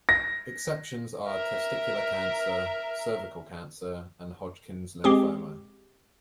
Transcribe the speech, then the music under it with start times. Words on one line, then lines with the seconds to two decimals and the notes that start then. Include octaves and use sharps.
Exceptions are testicular cancer, cervical cancer, and Hodgkin's lymphoma.
0.09 A#6
1.26 A#4 E5
5.04 G#3 C4 G4 G#4